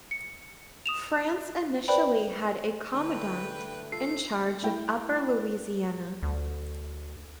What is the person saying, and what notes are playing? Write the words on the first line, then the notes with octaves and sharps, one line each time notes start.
France initially had a commandant in charge of Upper Louisiana.
C#7
D#6 E7 F7
B4 C5 D5 G5 B5
D3 A3 D4 B4 G5
F4 A4 C7
A3 E4 G5
D2